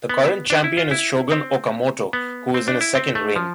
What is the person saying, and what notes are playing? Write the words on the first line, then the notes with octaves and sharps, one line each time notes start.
The current champion is Shogun Okamoto who is in his second reign.
B3
D4
E4
F4
E4
C4
B3
C4
D4
E4
C4
A3
F3